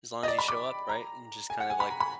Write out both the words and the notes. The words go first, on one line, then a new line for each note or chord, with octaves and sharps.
As long as you show up, right, and just kind of, like,
D#5
D5
B5
D6
A#5
G#5
F#5
G#5
B5
A#5
B5